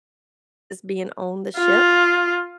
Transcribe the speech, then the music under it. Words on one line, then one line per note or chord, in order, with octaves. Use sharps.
is being on the ship
F4